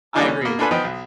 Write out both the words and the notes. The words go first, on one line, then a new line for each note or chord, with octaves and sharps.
I agree,
D3 E3 G3 A#3 D4 D#4
C#4
B2 A#3
D4 F4 A4 B4 G#5 B5
F3 B3 D#4 B4 G5
B1